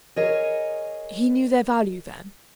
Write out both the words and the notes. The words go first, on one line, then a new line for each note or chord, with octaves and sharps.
"He knew their value, then?"
G#4 A#4 C#5 D#5